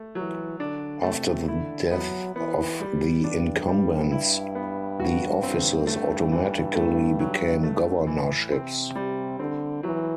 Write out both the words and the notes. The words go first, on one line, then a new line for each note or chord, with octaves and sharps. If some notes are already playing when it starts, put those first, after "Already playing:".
After the death of the incumbents, the offices automatically became governorships.
Already playing: A3
E3 F#3
D3 D4
C3 A3
D3 E4
F#3 B3
E3 B3
G3
G2 D4
G3
E4
B3
F#4
C4
G2 A3
E3
A3
F#3
G2 A3
A2 E3
C3 C4
G3
D3 C4
E3 F#3